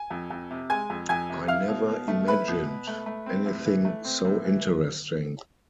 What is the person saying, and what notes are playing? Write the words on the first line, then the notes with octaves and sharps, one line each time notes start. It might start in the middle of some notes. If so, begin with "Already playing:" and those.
I never imagined anything so interesting.
Already playing: G#5
F2
F2
C3
G#3 G#5 G#6
F2
F2 G#5 G#6
C3
E4 F5 F6
B2
B2
A3
E4 B4 B5
B2
B2
A3
A3
C4
A2
E3
A3
C4
A2
E3